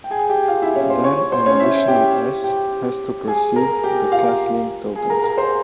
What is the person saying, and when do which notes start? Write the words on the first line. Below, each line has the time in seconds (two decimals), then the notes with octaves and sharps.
Then an additional "s" has to precede the castling tokens.
0.04 G5
0.11 G#4 G#5
0.29 G4 G5
0.48 F4 F5
0.62 E4 E5
0.76 C#4 C#5
0.90 C5 C6
1.04 C#5 C#6
1.32 C5 C6
1.46 C#4 C#5
1.60 E4 E5
1.88 G4 G5
2.44 G4 G5
3.28 G#4 G#5
3.56 A#4 A#5
3.83 G4 G5
4.12 F4 F5
4.95 G#4 G#5
5.10 A#4 A#5
5.23 A#4 A#5
5.37 C5 C6